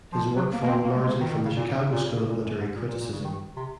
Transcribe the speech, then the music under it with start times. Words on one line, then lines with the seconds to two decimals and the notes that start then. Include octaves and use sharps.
His work followed largely from the Chicago school of literary criticism.
0.12 F3
0.36 F#3
0.53 A#3
0.63 A#3
0.68 C4
0.84 A#3
0.96 G#3
1.08 C#3
1.20 D#3
1.33 D#3
1.45 C#3
1.57 A#2
1.68 G#2
1.81 G#2
1.93 A#2
2.05 C#3
2.17 C#3
2.29 A#2
2.45 F#2
2.60 G#2
2.76 A#2
2.88 A#2
3.00 A#2
3.12 C#3
3.24 D#3
3.57 C3